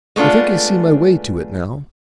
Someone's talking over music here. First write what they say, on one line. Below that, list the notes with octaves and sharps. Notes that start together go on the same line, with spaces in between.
I think I see my way to it now.
G#3 A3 B3 D4 F4